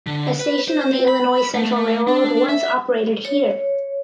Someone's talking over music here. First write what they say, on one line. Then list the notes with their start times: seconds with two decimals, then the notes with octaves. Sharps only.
A station on the Illinois Central Railroad once operated here.
0.07 D3
0.40 B4
0.68 C5
0.94 C4
1.08 B5
1.54 A3
2.07 D4
2.49 E5
3.25 C#5